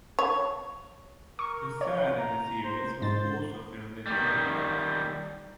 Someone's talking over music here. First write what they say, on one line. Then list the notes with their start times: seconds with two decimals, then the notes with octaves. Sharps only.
The third in the series was also filmed in Edinburgh.
0.19 C#5
1.39 A#4 C#6
1.81 C#5
2.18 A#5
2.64 C5
3.02 G#2 C5 A6
4.07 D#3 G3